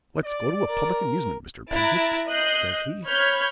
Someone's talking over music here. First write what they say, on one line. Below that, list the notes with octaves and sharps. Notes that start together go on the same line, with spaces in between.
'Let's go to a public amusement, Mr. Pedgift,' says he.
D5
A#4
E4 E5 A#5 F#6 A6 D7
D#5 F#6 G6 C7
C#5 B5 F6 G6 G#6